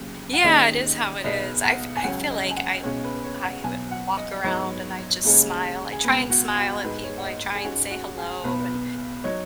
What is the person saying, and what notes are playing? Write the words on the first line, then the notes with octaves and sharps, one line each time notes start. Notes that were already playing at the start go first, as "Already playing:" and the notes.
Yeah. It is how it is. I f I feel like I I w walk around and I just smile. I try and smile at people. I try and say hello. And
Already playing: D#2 C#3 F#3
F#5
D#2 D#3 G#3 C#4 D#5
B1 B2 G#3 B3 D#4 D#5
F#5
G#5
C#2 C#3 F#3 C#4 F#5
D#5
G#5
F#5
B1 B2 G#3 C#4 C#5
B4
B4
C#5
F#5
B1 B2 F#3 G#5
F#5
D#5
G#2 F#3 B3 D#4 C#5
D#2 C#3 G#3 C#4
G#4
C#2 B2 B3 B4
F#4
F#4
G#2 G#3 B3 B4
C#5
F#5
D#5
G#4
G#2 G#3 C#4 F#4
F#4
G#4
B1 B2 B3 B4
F#3 D#4 C#5